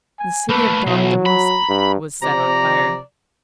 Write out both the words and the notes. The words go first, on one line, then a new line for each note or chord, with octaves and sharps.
The city of Damdamusa was set on fire.
G#5
A3 A#3 B4
B1 F#3 E4
A#5 B5
G2
C3 F3 D5 A#5